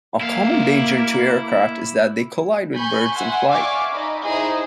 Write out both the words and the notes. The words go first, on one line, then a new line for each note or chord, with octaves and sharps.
A common danger to aircraft is that they collide with birds in flight.
A#3 E4 F5
G#5 B5 C#6 G6
E5 F#5 G#5 C6
D5 E5 F5 G#5 C#6 D6
D#4 D#5 B5
D#4 E4 G#4 C5 D#6